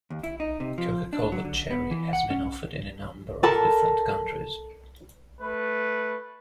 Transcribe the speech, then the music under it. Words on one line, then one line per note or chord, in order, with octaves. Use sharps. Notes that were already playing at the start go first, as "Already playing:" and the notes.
Coca-Cola Cherry has been offered in a number of different countries.
D#2
E4
D#4
C3
F3
D4
F#3
D3
B3
E3
F#5
C#4
A4 A#4 A5 B5
A3 B4